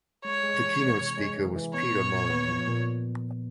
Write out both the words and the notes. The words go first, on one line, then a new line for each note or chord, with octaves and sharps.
The keynote speaker was Peter Molyneux.
G#3 C#5
G#3
E3
E3
C3
G#3
E3
E3
B3 C#5
A#2
A#2
B3
F3
A#2